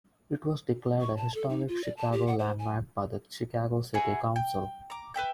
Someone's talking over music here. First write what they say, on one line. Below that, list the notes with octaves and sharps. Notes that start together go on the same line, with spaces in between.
It was declared a historic Chicago Landmark by the Chicago City Council.
C#6
A5
A4
D#4
F4
D5
A5
G4
F#5
C5
G#5
E4 F#4 G#4 F#5
G5
A#5 D6
B4 E5 G5 G6